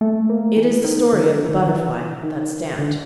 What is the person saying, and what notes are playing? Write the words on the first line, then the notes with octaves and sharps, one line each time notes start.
It is the story of the Butterfly that Stamped.
A3
A#3
E3
D#3
D3
D3
D#3
E3
D#3
D3